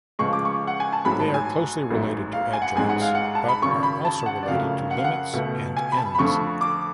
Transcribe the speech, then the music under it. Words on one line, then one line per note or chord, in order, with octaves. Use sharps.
They are closely related to adjoints, but are also related to limits and ends.
C#2 C#3 F3 G#3 C#6
D6
C#6
F#5
G#5
A5
A1 G#2 F#3 A3 B5
A5
G#5
A1 G#2 F#3 A3
F5
G#5
F#5
A1 G#2 G#3 G#5
F#5
F5
F#5
A5
B5
G#1 F#2 C#3 C#6
B5
A5
F#5
D5
F#1 F2 C#3 F#3 A3 F5
F#5
F5
F#5
C#2 B2 A3
G#5
B5
A5
B5
F2 D3 F3 A3 C#6
D6